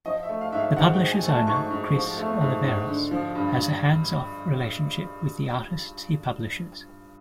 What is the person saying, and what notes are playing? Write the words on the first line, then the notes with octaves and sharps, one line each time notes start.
The publisher's owner, Chris Oliveros, has a hands-off relationship with the artists he publishes.
F3 D#5
E5
A3
F5
G#2 E5
F5
G#2 F#5
G5
F3
G#5
A3
A5
G#2 C#6
G#2
F3
A3
G#2
G#2
D3
F3
G2